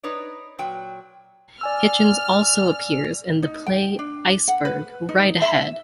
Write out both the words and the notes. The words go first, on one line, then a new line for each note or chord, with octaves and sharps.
Hichens also appears in the play Iceberg - Right Ahead!
D#4 B4 C#5 D5
A#2 F#3 G5
D5 G#5 E6 F6
D#4
G5
D4
F#5
B4
D#4
E5